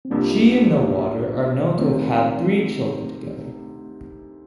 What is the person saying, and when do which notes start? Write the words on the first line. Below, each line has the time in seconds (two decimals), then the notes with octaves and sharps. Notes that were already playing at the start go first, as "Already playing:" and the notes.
She and No Water are known to have had three children together.
0.05 C4
0.10 C2 C3 F3 A#3 D4
1.78 D2 C3 D#3 A3 C4